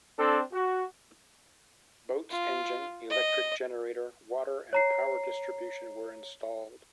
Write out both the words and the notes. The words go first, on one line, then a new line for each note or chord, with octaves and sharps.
Boat's engine, electric generator, water and power distribution were installed.
C4 D4 A4
F#4
F4
D#5
C#5 A#5 C7